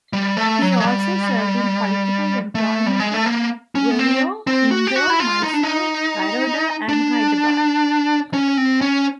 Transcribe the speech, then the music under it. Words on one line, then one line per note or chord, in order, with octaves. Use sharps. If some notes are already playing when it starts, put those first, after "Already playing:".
He also served in political employment at Gwalior, Indore, Mysore, Baroda and Hyderabad.
G3
A3
F#3
G#3
G3
A3
G3
G#3
A3
A#3
C#4
B3
C4
C4
F#4
G4
F#4
E4
F4
D#4
D4
D#4
D4
C#4
C4
C#4